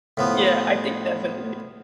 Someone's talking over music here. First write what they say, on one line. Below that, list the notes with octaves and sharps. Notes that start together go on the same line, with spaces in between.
Yeah, I think definitely.
A2 F3 B3